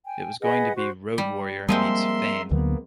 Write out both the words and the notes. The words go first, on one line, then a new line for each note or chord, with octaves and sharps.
It was going to be Road Warrior meets "Fame".
G5 G#5
G#4 B4 D#5 F#5
F#4 C5
G3
F3 G3 G#3 A#3 C4 A#4 E5 C6
D2 D3 F#3 A#3 B3